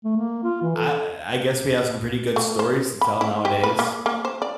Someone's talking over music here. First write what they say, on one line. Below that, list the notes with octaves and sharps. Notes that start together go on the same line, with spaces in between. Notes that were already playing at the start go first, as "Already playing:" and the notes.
I I guess we have some pretty good stories to tell nowadays.
A3
A#3
F4
E3
A4
A3
C5
B5
E4
G4
B4
A#3
A#3
C5
D5